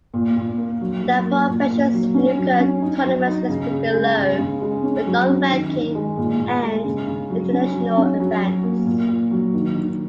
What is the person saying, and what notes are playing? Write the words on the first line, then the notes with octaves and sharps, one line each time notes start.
The professional snooker tournaments listed below were non-ranking and invitational events.
A#2
A#2
A#3
F#3
F#3
A#3
A#2
A#2
F#3
C#4
F#3
C#4
D#4
F#3
D#4
C#3
C#3
G#3
C#3
C#3
G#3
C#4
F#3
C#4
D#3
D#3
G#3
A#2
A#2
G#3
C#3
C#3
F#3
C#4
F#3
C#4
F#3
F#3
A#3
A#2
A#2
F#3
D#3
D#3